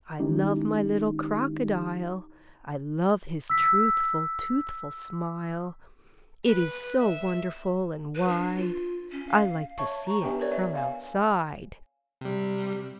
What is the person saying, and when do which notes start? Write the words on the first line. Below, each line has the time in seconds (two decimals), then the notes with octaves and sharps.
'I love my little crocodile, I love his truthful toothful smile; It is so wonderful and wide, I like to see it--FROM OUTSIDE.'
0.19 D#3 G#3 C#4 D#4 E4 G4
3.50 E6 B6
6.46 B4
7.01 E5
8.16 B4
8.28 D4
8.57 F4
9.12 C#4
9.29 F5
9.78 C#5 E5 A5 C#6
10.07 A#5 C#6
10.22 B3 D4 G4 B4 E5 G#5
10.39 A#4 B4 C#5 D5
10.52 E5
10.75 F5 G#5
12.21 C3 G3